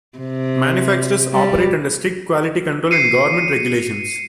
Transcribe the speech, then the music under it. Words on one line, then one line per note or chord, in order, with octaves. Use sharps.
Manufacturers operate under strict quality control and government regulations.
C3
G3
C7 C#7 D#7